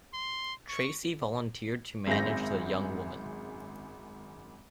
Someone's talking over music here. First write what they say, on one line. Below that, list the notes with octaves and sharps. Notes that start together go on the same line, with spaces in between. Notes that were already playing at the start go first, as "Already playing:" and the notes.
Tracey volunteered to manage the young woman.
C6
C#6
G#1 F#2 G#4 E5 G6 A#6